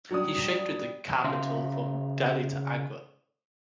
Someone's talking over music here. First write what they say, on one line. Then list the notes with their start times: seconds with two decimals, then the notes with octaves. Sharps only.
He shifted the capital from Delhi to Agra.
0.11 F#3 G3 D4 D#6
1.24 C#3 F#4 E5 F5 C6